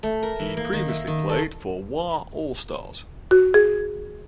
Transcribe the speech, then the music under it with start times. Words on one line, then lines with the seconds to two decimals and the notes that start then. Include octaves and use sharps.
He previously played for Wa All Stars.
0.03 A3
0.23 A#4
0.39 E3
0.57 A#3
0.73 D#3
0.88 E5
1.07 D#3
1.29 A4
3.31 F#4
3.54 G#4